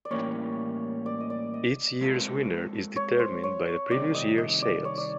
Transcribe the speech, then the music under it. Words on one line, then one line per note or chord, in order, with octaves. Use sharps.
Each year's winner is determined by the previous year's sales.
D5
A2 E3 G3 A#3 C#4 C#5
D5
D#5
D5
D#5
G#3 C4 F4 A4
C#5
C5
C#5
C3 D#3 G3 C4 D5
D#5
D#5
D5
C#5
D5